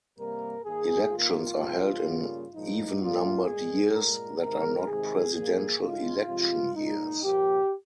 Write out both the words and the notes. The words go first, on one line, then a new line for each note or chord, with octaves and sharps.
Elections are held in even-numbered years that are not presidential election years.
C3 G3 A#3 A#4
D#3 A#3 G#4
D#3 A#3 F4
C3 F3 G#3
C#3 G3 A#3
A#2 F3 G#3 D#4
A#2 G3 A#3 F4
A#2 G#3 G#4
A#2 G#3 A#4
C3 D#3 G#3 A#4
C3 D#3 G#3 G#4
A#2 F3 A#3
C#3 G#3 F4
C3 F3 G#3
A#2 G#3 D#4
A#2 F3 A#3 G4